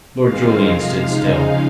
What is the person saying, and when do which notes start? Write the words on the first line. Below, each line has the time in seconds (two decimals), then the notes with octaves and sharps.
Lord Julian stood still.
0.24 D#3 G#3 C4 F4 F5
0.66 C3 F3 G#3
1.07 C#3 F3 G#3 D#4